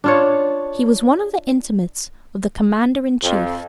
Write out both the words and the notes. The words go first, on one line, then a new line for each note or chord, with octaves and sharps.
He was one of the intimates of the Commander-in-Chief.
D4 F4 C#5
F2